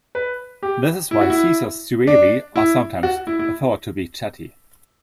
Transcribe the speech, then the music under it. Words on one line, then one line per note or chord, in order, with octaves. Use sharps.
This is why Caesar's Suevi are sometimes thought to be Chatti.
B4
G4
E4
F#4
E4
D4
E4
F#4
E4
E4